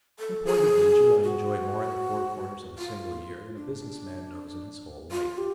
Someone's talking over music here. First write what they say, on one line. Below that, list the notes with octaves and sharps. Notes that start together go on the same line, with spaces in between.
In point of leisure, I enjoy more in the four corners of a single year than a business man knows in his whole life.
A4
G#4
F#4
F4
D4
F4
G4